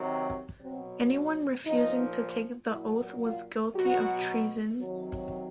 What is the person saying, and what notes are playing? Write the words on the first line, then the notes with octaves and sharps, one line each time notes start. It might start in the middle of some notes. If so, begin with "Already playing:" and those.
Anyone refusing to take the oath was guilty of treason.
Already playing: C3 D#3 F#3
B2 F#3 C4
A#2 F3 D#4
A#2 F#3 E4
F4
B2 F#3 F#4
C3 D#3 F#3